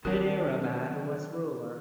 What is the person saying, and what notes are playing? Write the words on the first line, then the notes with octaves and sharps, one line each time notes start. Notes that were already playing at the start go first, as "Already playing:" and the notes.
Hyderabad was ruler.
D#3 F#3 C4 D4 F#4 A#4